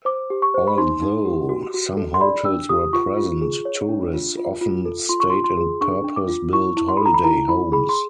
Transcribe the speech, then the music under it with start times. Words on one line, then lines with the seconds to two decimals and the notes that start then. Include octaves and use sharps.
Although some hotels were present, tourists often stayed in purpose-built holiday homes.
0.05 C5 D6
0.30 G4
0.42 C#6
0.54 C5
0.67 B5
0.78 D#4 C6
1.02 D#4
1.25 G4
1.49 F#4
1.74 F#4
1.97 A4
2.14 C6
2.21 D5 B5
2.45 D4 E6
2.69 G4 D#6
2.93 F4 C#6
3.17 F4
3.41 G#4
3.65 C#5
3.89 D4
4.14 F4
4.37 F4
4.61 F4
4.85 A4
5.09 F4 C6
5.20 C#6
5.30 F4 C6
5.44 C6
5.57 G#4
5.81 D4 C#6
6.04 D4
6.16 D6
6.28 F4
6.53 E4 C#6
6.77 E4
6.88 C6
6.97 B5
7.01 A4 A#5
7.14 B5
7.24 E4 A#5
7.48 E4 B5
7.72 G#4 B5
7.89 C6